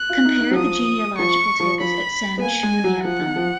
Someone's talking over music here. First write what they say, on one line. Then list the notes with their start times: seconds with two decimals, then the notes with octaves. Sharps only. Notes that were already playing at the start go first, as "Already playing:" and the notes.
Compare the genealogical tables at Sanchuniathon.
Already playing: F#6
0.09 F4
0.25 D#4
0.41 D#4
0.51 F#3
0.56 F3 D#6
1.18 F3 C#6
1.60 F3
1.80 F3 B5
2.38 B3
2.42 A#3 G#5
2.63 G#3
2.84 F#3
3.04 F3 F#5
3.20 D#3
3.36 F3